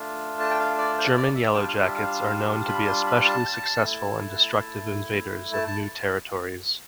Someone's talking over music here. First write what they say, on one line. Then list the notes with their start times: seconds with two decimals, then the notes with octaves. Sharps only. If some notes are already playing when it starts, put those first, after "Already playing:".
German yellowjackets are known to be especially successful and destructive invaders of new territories.
Already playing: A3 D4 F4
0.40 A5
0.51 G5
0.59 F5
0.78 D5
0.98 C5
1.17 D5
1.35 E5
1.54 G3 D4 F4 G5
1.68 F5
1.82 E5
1.96 F5
2.68 B5
2.87 C6
3.07 B5
3.25 A5
3.82 A3 E4
5.53 A5
5.67 A5